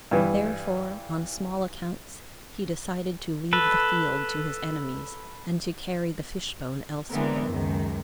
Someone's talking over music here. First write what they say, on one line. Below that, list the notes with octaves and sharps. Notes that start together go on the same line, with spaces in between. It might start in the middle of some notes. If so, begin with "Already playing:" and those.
Therefore, on small accounts he decided to leave the field to his enemies and to carry the fishbone elsewhere.
G2 E3
A4 B4
D3 E3 G#3 B3 C4 A#4
C#2 F#2 D#3